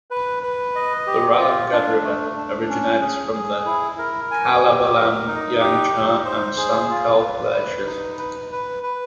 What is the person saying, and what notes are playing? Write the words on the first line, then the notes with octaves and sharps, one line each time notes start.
The Ralam Gad River originates from the Kalabaland, Yangchar and Sankalp glaciers.
B4
B4
D#5
G4
F4
D4
A3
D4
C#4
G#4
G#4
E4
A#4
G#5
G4
A#4
D#4
G4
D#4
C5
G#4
F4
B4
B4
D#4
B4
B4
B4